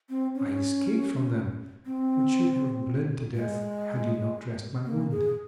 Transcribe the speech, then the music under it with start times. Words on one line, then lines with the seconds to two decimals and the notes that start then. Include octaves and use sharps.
I escaped from them, but should have bled to death had you not dressed my wound.
0.09 C4
0.35 C#4
1.86 C4
3.35 G#3
4.85 A#3
5.11 G#4